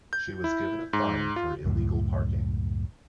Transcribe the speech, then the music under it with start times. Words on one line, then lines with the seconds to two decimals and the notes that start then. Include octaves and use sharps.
She was given a fine for illegal parking.
0.13 G6
0.44 E4
0.93 G#2
1.36 F4
1.65 C#2 F#2 A2